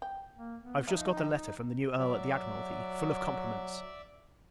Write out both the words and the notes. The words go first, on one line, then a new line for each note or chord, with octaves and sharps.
I have just got a letter from the new Earl at the Admiralty, full of compliments.
G5
A#3
B3
F3 D#4 E5 F5
D#3
F#3 D5 E5